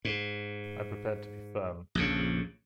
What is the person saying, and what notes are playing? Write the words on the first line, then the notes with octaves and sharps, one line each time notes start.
I prepared to be firm.
G#2
A#1 F2 C#3